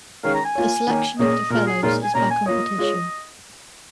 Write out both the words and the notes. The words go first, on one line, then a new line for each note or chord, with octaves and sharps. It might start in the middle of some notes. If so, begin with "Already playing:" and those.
The selection of the Fellows is by competition.
D#3 G#3 C#4 A#4 F5
A#5
G#5
A#3 F4 C#5
D#3 A#3 D#4 C#5
A#2 A#3 C#4 G#4 C#5 D#5
A#2 G#3 F4 A#4
G#4
A#2 G#3 D#4 F4 A#4 C#5
G#5
A#2 A#3 C#4 A#5
G#5
A#3 F4 C#5 D#5
G#3 F4 C#5